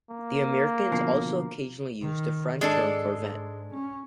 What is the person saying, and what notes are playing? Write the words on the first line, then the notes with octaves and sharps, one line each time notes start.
The Americans also occasionally used the French term corvette.
A#3
B2 D3 F3
D#3
G#2 G#3 D4 A4
C#4